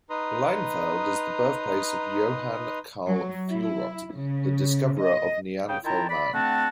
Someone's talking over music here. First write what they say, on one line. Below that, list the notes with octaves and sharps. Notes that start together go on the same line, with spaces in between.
Leinefelde is the birthplace of Johann Carl Fuhlrott, the discoverer of Neanderthal man.
D#4 B4 A#5 C6 D#6
F#3
E4
C#3
D#5
C#3 G5
D#3 E4 F4 G5 A5 A#5
D5 B5
D3 A3 C4 F#4 F#5 A5